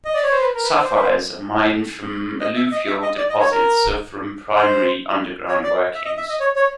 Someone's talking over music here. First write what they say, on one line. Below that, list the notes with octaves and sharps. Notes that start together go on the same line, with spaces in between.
Sapphires are mined from alluvial deposits or from primary underground workings.
D#5
D5
C#5
C5
B4
A#4
B4
C5
C5
B4
C5
D#5
E5
D#5
E5
D#5
D5
D#5
C#5
A#4
C5
C#5
D5
E5
D#5
E5
D#5
C#5
C#5